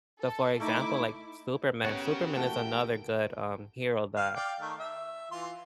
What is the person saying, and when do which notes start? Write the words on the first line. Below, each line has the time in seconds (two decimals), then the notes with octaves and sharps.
So, for example, like, Superman, Superman is another good, um, hero that
0.20 A4
0.60 A3 D#4 E4 D6
1.84 C#3 B3 G4 A#4 C#5 F#5 G#6 F#7
2.35 E3 A3 A#3 E4 F#4 G5 A5
4.17 F5
4.36 D5 F5 G5
4.60 D#3 A3
4.79 E5
5.31 E3 F4 C6